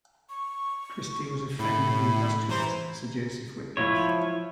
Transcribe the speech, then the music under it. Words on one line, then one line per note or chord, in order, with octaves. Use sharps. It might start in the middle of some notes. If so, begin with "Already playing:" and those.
Christie was a friend of the industrialist Sir Joseph Whitworth.
C#6
A2 B5
E3 C5 A#5
F3 E4 C#5